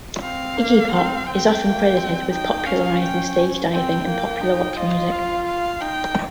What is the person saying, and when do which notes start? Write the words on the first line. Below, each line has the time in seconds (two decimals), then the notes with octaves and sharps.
Iggy Pop is often credited with popularising stage diving in popular rock music.
0.22 C4 F5
0.57 A#3
0.92 C4
1.27 C4 G5
1.62 A#3
1.97 C4
2.32 D#4 G5
2.66 C#4 F5
3.01 G5
3.72 C4 G5
4.07 A#3
4.41 D#4
4.77 F4 D#5
5.12 F5
5.47 F5
5.81 D#4 G5